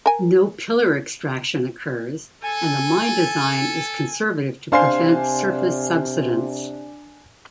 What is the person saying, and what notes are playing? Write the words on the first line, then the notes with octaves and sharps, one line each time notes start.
No pillar extraction occurs, and the mine design is conservative to prevent surface subsidence.
A#4 G#5
A4 G#5
C3 D4 C5 F5 G#5 C6 C7